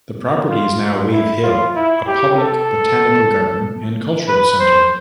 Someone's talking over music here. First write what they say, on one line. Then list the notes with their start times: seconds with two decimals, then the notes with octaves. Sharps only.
The property is now Wave Hill, a public botanical garden and cultural center.
0.48 F4
0.80 F4
1.12 E4
1.43 F4
1.75 E4
2.07 G4
2.38 A4
4.28 B4
4.59 C5